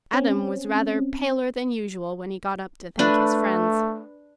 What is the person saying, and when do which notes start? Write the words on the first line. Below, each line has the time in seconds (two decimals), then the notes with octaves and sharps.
Adam was rather paler than usual when he got up to thank his friends.
0.13 C4 C#4
2.99 A3 D4 B4